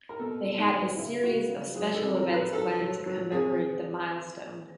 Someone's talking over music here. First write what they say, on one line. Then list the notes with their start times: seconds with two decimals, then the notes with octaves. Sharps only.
They had a series of special events planned to commemorate the milestone.
0.09 A#4
0.19 B2 A4
0.45 B2
0.58 D#4
0.70 F#3
0.97 C#3 E4
1.23 C#3 F#4
1.49 C#3
1.75 F#3 G#4
1.94 A4
2.01 C3
2.15 A#4
2.28 F#3
2.34 B4
2.53 F#3 A4
2.80 F#3
3.06 F#3
3.32 C3 G#4